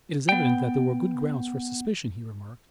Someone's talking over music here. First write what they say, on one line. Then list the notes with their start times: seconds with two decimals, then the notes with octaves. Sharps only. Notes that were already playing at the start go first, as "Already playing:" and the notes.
"It is evident that there were good grounds for suspicion," he remarked.
0.29 B3 G5